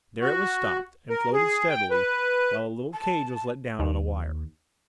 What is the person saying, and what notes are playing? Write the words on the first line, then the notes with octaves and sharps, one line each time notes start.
There it was stopped, and floated steadily, while a little cage was let down on a wire.
F#4
A#4
G#4
G5
B4
A5
D#2